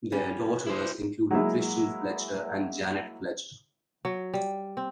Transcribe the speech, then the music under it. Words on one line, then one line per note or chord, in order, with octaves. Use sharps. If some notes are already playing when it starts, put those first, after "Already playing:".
Their daughters included Christian Fletcher and Janet Fletcher.
G3 C#4
E4 C5
F#3 G#3 A#3 E4
F#3
G3
C4